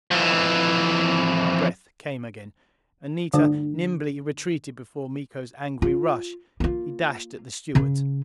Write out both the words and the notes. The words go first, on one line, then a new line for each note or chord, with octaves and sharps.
My breath came again; Anita nimbly retreated before Miko's angry rush. He dashed at the stewards.
F2 E3
D3
F4
A#3 F4
C#3 C#4